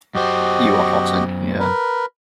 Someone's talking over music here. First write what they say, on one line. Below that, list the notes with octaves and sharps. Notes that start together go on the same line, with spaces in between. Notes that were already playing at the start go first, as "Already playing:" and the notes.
You are hot in here!
F#2 F#4 G4 C5 D#5
A#4 B4